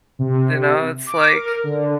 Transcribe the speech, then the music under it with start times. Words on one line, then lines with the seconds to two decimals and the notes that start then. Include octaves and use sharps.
you know, it's, like,
0.19 C3
1.07 D6
1.34 A#4
1.64 D3